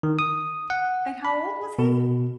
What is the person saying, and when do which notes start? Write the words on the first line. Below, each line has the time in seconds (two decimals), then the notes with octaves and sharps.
And how old was he?
0.03 D#3
0.19 D#6
0.70 F#5
1.25 B5
1.79 B2